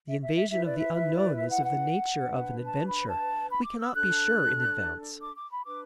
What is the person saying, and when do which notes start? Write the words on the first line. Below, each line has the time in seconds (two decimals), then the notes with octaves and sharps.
The invasion of the unknown is of the nature of an adventure; we cannot be sure in advance.
0.08 E5
0.21 E5
0.35 E5
0.50 E4 B4 E5
0.65 D5
0.78 E5
0.93 E5
1.15 D5
1.36 E5
1.51 F#5
1.65 F#5
2.22 D4 B4
2.65 A5
2.87 B5
3.08 A5
3.51 B5
3.65 D6
3.80 E6
3.94 D4 A4 F#6
5.23 D6
5.36 D6
5.51 B5
5.65 D4 B4 D6